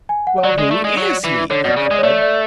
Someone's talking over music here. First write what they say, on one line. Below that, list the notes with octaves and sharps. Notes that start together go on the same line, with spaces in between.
"Well, who IS he?" he cried.
G#5
F#5
C#5
F#3 D5
G#3
A3
G#3
F#3
E3
D3 C#5
B2 D5
C#3
D5
G#3
C#5
A3 D5
D5